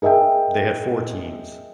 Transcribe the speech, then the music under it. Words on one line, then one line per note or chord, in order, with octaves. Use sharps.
They had four teams.
G#4 A#4 D#5 E5 G5